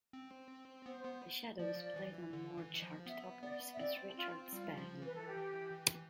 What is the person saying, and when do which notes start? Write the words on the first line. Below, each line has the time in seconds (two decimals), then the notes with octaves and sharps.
The Shadows played on more chart-toppers as Richard's band.
0.13 C4
0.86 B3 C5
1.05 B3
1.59 F3 D5
1.96 E3
2.33 D3
2.57 E3
2.82 F3
3.06 B3 E5
3.43 B3 D5
3.74 E5
3.79 C4 D5
4.17 F4
4.53 G3 F4
4.77 F3
5.02 E3 B4
5.15 A4
5.27 G4
5.94 E3